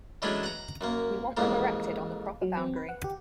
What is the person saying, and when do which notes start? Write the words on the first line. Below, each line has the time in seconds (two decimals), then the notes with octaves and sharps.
We want them erected on the proper boundary.
0.22 E3 F#3 G#3 A3 C#4 D4
0.43 F#5 A#5
0.81 F#2 A#3
1.37 A1 F2 G#2 A#3
2.42 F#3
2.57 C4
2.76 B4
2.89 F#5
3.04 G4